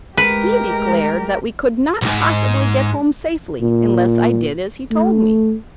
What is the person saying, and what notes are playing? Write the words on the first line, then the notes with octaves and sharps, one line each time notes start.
He declared that we could not possibly get home safely unless I did as he told me.'
G#3 A3 G4 A#4 B4
B1 G#2
A#2
A3